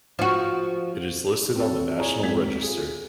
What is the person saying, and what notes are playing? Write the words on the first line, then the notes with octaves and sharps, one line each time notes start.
It is listed on the National Register.
F3 F#4
C4 F#4 A4
E4 G#4 C#5 D5 G#5 A#5
G#2 F#3 C4 G#6 B6
F4 G#4